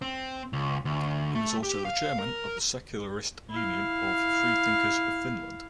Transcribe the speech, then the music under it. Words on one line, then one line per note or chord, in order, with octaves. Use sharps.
He was also the chairman of the secularist Union of Freethinkers of Finland.
C4
C#2
D2
A3
G4
F5
A#4
E4 F5